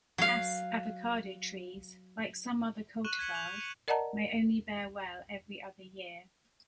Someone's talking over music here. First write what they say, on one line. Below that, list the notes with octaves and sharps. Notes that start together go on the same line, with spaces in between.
Hass avocado trees, like some other cultivars, may only bear well every other year.
F#3 F5
C#6 F#6 D#7 E7 F#7
G#6 B6 C#7 F#7
G6 F7 F#7
C#7 D#7
A#4 D5 D#5 F#5 A5 A#5